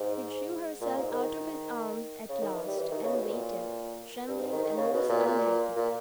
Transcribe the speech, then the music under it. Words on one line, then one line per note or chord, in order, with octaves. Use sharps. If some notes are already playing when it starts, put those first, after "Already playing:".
She drew herself out of his arms at last and waited, trembling and most unhappy.
Already playing: G#2
A#2
G#2
D#3
C#3
D#3
E3
G3
E3
D#3
C#3
B2
A#2
G2
G#2
D#3
D#3
C#3
B2
A#2
A#2
A#2